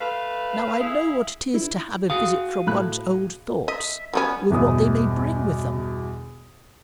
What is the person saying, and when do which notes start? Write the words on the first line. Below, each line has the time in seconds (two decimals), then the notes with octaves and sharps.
Now, I know what it is to have a visit from one's old thoughts, with what they may bring with them!
0.01 A3 B4 F5
0.80 E4 G#4 E5 F5
1.54 E4
2.10 F#4 G#4 F5 D#6
2.67 A2 B5 F#6
3.68 D#5 E5
4.13 F#3 G3 B3 C#4
4.50 G1 E2 B2 D#6